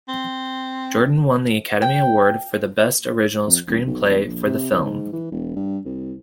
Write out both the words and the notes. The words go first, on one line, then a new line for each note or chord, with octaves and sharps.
Jordan won the Academy Award for Best Original Screenplay for the film.
C4
G5
F2
D#1
B1
E1
A#1
C3
C2
G#2
E3
E1
G2
C2